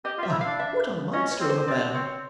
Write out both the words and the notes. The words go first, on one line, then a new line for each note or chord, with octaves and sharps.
Ah! what a monster of a man!
G4 D#5
F4
E5
E4
F5
D4
E5
C#4 D#5
C#5
C4
C5
C4 D5
C4 C#5